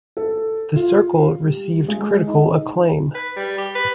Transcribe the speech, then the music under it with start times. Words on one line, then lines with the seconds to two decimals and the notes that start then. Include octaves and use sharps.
"The Circle" received critical acclaim.
0.17 A4
0.76 F4
1.45 G3
1.88 G#3
2.27 D#4
3.14 B4
3.36 G3
3.58 G4
3.75 B4